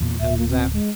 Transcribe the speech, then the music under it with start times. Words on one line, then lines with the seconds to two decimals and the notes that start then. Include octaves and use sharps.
The hand is out.
0.01 E2 A#2
0.20 D1 E5
0.38 A#3
0.49 C4
0.73 G#3